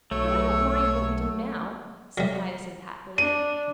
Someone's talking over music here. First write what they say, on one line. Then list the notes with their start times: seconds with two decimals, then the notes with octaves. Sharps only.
"But I don't mind what we do now," said Hyacinth happily.
0.11 B1 F#3 A3 C#5 C#6 E6
2.18 F#3 G3
3.18 D4 D#7